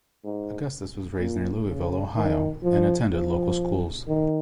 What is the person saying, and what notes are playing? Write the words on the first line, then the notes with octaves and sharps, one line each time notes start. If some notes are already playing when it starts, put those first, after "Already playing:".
Augustus was raised near Louisville, Ohio, and attended local schools.
G#2
A#2
C#3
D#3
F3
F3
D#3